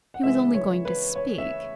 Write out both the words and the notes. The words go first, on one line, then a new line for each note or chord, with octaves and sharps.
He was only going to speak.
F#5
C#3 E3 G#3 E5
C#5
B4
C#5
E5